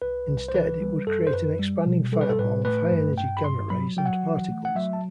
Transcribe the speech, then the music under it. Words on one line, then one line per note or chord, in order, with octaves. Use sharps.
Instead, it would create an expanding fireball of high-energy gamma rays and particles.
C2 B4
C2
C5
E3 B4
G3
F#2 A4
C5
F#2 B4
G3
B2
G3 A4
B4
A4
A2 B4
A3 B4
G2
G2 G5
B5
G2 C6
F#3 B5
F#3 G5
F#5
E3
A3
F#5
F#3 E5
A5